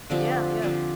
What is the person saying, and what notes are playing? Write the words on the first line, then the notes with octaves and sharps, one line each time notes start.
Yeah, yeah.
D3 F3 C4 G4
D3 F3 C4 G4